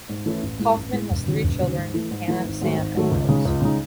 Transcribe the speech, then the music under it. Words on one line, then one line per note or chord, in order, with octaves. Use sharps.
Kauffman has three children: Hannah, Sam and Rose.
G#2
E3 A3 C#4 E4
A1
A2 G#3
A1
A2 G#3
E1
D#2 C#3 F#3
E1
D#2 C#3 F#3
G#2
E3 A3 E4
G#2
E3 A3 E4
G#1
G#2 D#3 F#3 A3
G#1
G#2 D#3 F#3 A3
C#2
C#3 G#3 D#4
C#2
C#3 G#3 D#4